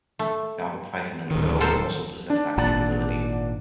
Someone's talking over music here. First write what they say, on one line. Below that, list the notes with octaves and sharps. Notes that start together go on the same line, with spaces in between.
Java, Python and Go - also possess that capability.
A3
D1 D#3
A4 A#4 C5
D4
G#1 A#2 D5 F#5 A5